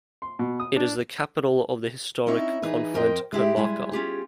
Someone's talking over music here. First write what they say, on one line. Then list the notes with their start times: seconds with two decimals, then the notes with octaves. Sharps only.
It is the capital of the historical Conflent comarca.
0.22 C6
0.39 B2
0.60 D#6
0.77 D4
2.26 C4 C#4 D#4 E4 C#5
2.62 E3 D#4 G#4 B4
2.94 F2 A#4 C5 D#5 G5
3.32 G#3 E4 G4
3.56 G3 G#3 E4 G#5
3.92 C#4 F4 G4 G#4